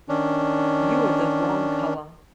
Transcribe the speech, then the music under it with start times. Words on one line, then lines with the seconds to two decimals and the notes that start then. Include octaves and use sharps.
You're the wrong colour.
0.09 D#3 C#4 D4